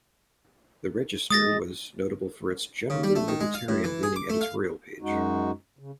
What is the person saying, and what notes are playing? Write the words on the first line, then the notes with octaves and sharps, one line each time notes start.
The "Register" was notable for its generally libertarian-leaning editorial page.
G#3 D#6 A6 A#6
C#3
G3
A3
D#3
G#3
F5
A2
E3
G#4
D6
A3
F5
F#2 G#3 D#4 F#4
C#3